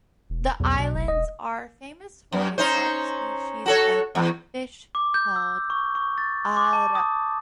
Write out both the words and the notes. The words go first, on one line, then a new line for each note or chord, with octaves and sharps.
The islands are famous for a large species of rockfish, called "Arr-a".
E1
B1 E2
B2
F1
E1 D#5
F#2
C#4 D#4 C5
F#4 A4 C#5
E2
D6
G6
E6
C#6
C#6
A6
D6
A5
D#6